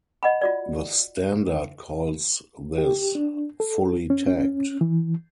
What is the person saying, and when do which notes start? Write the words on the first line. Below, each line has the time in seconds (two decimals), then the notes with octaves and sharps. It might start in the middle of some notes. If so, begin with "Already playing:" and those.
The standard calls this "fully tagged".
0.23 D#5 F#5 B5
0.41 F4 F#4 D5
2.78 G4
3.15 D4
3.60 A4
4.10 C#4
4.27 C#4
4.81 E3